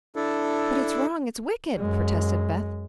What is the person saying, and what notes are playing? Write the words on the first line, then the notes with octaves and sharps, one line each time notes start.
"But it's wrong--it's wicked!" protested Beth.
D4 E4 A4
F#2 G#3